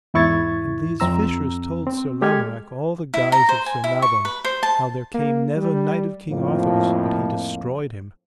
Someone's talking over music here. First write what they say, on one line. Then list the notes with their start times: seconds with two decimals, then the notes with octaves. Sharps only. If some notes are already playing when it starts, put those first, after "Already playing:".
And these fishers told Sir Lamorak all the guise of Sir Nabon; how there came never knight of King Arthur's but he destroyed him.
0.14 E2 G#2 E4 C#6 G#6 A6
1.00 F2 C4 A#5 E6
1.87 C4
2.22 G#3 G4 A4 G5 F6 G#6
3.14 E4
3.32 A#5
3.49 C5
3.66 G#5
3.84 E4
4.02 C#6
4.25 B4
4.44 C5
4.63 A5
5.14 A#3
5.56 G3
6.30 F2 A2 F3 A#3